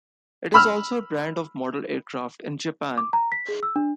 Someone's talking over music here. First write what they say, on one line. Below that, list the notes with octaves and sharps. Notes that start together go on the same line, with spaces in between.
It is also a brand of model aircraft in Japan.
B5 E6 F6
D6
A#5
B6
G#4
E6
D4